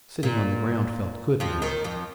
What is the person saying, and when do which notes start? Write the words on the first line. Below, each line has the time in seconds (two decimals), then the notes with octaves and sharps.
Sitting on the ground felt good now.
0.23 A#2
1.40 F2 F3
1.62 D#2 D#3
1.84 F2 F3